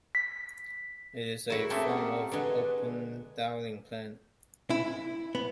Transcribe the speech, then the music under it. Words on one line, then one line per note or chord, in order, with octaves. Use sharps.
It is a form of open dialling plan.
B6
E4 F#4 G#4 A#4 C#5
A3 C4 C#4 E5 A#5 D6 D#6
G4 F#5 A#5
D3 G#3 B4
D5
E4
B3